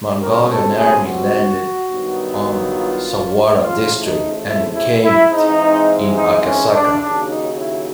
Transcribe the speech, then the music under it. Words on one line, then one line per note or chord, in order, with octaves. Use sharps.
Mongolian Army landed on Sawara District and encamped in Akasaka.
C#2 B2 G3 C4 A#4
A4
G#4
F#4
G2 D#3 F#3 B3
F4
A1 G#2 F3 A3 F4
D#4
E4
E4
E4
G#2 E3 G#3 C4 D#4
D#4
C#4
D4
D#2 C#3 F#3 D4
D#4
E4